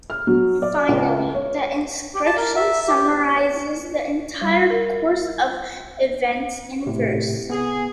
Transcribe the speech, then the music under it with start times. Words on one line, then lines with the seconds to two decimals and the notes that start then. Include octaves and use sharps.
Finally, the inscription summarizes the entire course of events in verse.
0.10 F6
0.27 F#3
0.62 D5
0.88 C#2
1.35 C#5
2.14 G4
2.26 A5
2.37 A#4
2.56 E5
2.87 G4
4.41 G3
4.70 A#4
6.87 A2 C3
7.50 B3 G#4